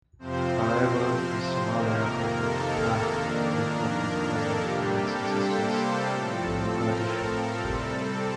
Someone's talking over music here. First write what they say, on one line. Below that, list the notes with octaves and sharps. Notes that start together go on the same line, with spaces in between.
However the Somalia government thanked the Ethiopian government for its assistance in Mogadishu.
F2 C3 F3 C4 C5
F2 C3 D#3 A#3 A#4
A4
F2 D#3 A#3 D4 A#4
A#4
A4
C3 G3 A#3 D4 G4
A4
C5
A2 F3 C4 A4
A#4
A#4
C3 G3 C4 A4